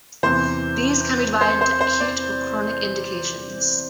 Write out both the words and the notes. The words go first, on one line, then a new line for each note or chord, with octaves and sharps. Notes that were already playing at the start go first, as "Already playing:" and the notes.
These can be divided into acute or chronic indications.
E2 C3 E3 C5
C5
C5
C5
D5